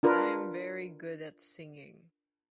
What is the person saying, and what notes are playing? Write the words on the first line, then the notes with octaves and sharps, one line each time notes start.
I'm very good at singing!
D4 F4 A#4 B4